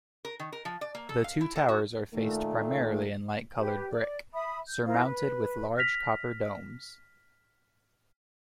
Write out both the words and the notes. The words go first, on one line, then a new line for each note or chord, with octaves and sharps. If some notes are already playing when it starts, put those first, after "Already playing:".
The two towers are faced primarily in light-colored brick, surmounted with large copper domes.
A#4
D#3
A#4
F3
D5
A#3
A4
F5
E4
A4
F#4
A#2 D#3 A3
G4 B4
D5
E5 B5 D#6
G6
E4 F4 A#4 C5
B4
F6 A#6 B6 F7